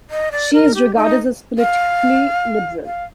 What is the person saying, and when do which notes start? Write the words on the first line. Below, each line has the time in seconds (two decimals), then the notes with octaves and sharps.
She is regarded as politically liberal.
0.10 D#5
0.32 D5
0.53 A#4
0.74 G4
0.95 D#4
1.58 F5
2.85 F5